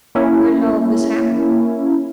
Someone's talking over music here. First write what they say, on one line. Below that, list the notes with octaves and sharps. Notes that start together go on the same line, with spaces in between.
"Where did all of this happen?"
A#3 C#4 E4